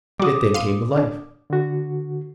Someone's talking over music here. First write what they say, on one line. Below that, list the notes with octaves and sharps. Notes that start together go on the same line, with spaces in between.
It then came to life.
G3 F#4 D6 D#6
F5 C6 D#7
D4
D3 F#4